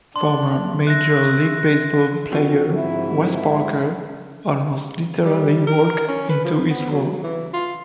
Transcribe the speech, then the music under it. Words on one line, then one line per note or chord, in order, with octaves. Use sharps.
Former Major League Baseball player Wes Parker almost literally walked into his role.
D4 C6
E5 F#6 A#6
F3 C4 F#4
G#2 E4
G3
A#4
C#4
B4
F3
B3
F#3
E3
F4